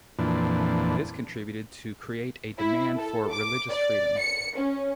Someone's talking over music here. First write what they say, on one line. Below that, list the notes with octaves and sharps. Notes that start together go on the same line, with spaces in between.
This contributed to create a demand for religious freedom.
F2 A#2 E3 D4
E4
A4
D6
D5
C#7
C#4